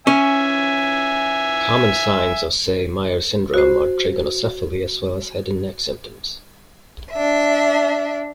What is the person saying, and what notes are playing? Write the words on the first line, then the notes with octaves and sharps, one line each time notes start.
Common signs of Say-Meyer syndrome are trigonocephaly as well as head and neck symptoms.
C#4 E5 G#5
F#4 C5
D4 E5